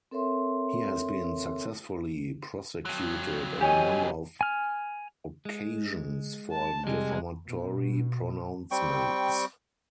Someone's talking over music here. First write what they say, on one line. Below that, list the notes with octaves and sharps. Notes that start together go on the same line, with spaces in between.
He has been successfully prosecuted on a number of occasions for defamatory pronouncements.
C4 A4 A#4 C#5 E5 C6
F2 F#3
G4 C#5 D#5 G#5
G#5 F6
G#3
A5
C3 G3 G#3
B2
G3 C4 G5 C#6